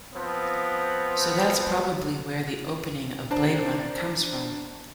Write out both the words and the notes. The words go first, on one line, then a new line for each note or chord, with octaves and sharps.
So that’s probably where the opening of "Blade Runner" comes from.
F3 B3 C4
D4 C5 D5 A5 A#5